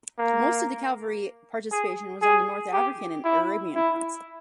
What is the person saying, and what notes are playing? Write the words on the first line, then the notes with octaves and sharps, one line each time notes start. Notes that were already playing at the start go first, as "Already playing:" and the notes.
Most of the cavalry participation was on the North African and Arabian fronts.
A#3
G#4
G#4
G4
E4
E4